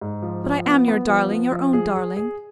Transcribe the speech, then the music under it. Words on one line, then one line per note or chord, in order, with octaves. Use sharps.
But I am your darling, your own darling.
G#2
F3
F3
B3
B3
F3
F3
F3
G#4
G#4
G#4